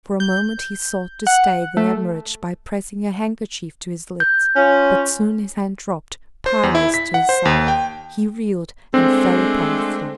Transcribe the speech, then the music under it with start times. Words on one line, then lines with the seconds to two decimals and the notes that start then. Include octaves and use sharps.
For a moment he sought to stay the hemorrhage by pressing a handkerchief to his lips; but soon his hand dropped powerless to his side; he reeled and fell upon the floor!
0.20 G6
1.27 F#5
1.77 A3
4.20 G6
4.55 C#4 F4
6.46 C5
6.63 E2
6.75 E4
6.94 B6
7.14 F#5
7.29 C5
7.45 D#2
7.68 G5
8.94 G#3 A3 C4 D4